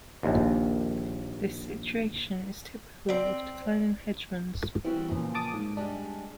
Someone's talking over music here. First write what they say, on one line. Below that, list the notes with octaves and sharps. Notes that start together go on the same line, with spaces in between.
This situation is typical of declining hegemons.
A#1 D#2
C4 D5
E3 G3 C4 F#4
A#2 C#3 F3
A5 D6 D#6
G#2
G3 G#3 D4